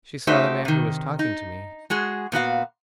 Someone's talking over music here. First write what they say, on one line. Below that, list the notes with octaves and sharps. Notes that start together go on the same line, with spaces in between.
She saw the man who was talking to me.
A3 D#4 F#4 G4 C5 E5
C3 D#3
D#4
G#3 F#4 G#4
A#2 B3 F#4 F5